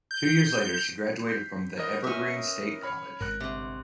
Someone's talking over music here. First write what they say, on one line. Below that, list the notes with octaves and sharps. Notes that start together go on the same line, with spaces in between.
Two years later, she graduated from The Evergreen State College.
G6
G6 B6 C7
A#4 B4 D#5
C#4 E5
C#5 B5 F6
G#1 G#2 A#4 F#6
G1 C3